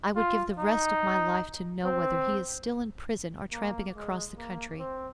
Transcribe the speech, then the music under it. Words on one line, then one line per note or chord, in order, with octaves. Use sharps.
I would give the rest of my life to know whether he is still in prison or tramping across the country.
F4
D#4
C4
A#3
G#3
A#3
C4